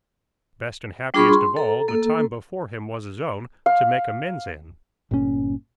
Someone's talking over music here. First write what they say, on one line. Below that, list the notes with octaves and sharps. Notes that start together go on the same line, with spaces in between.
Best and happiest of all, the Time before him was his own, to make amends in!
G3 D4 F4 G#4 B5 C#6
C6
A4 A#5
A#3 A4
F5
G1 A#2 D3 C#4